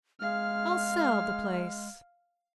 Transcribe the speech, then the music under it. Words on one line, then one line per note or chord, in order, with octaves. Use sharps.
"I'll sell the place."
G#3 F5 F6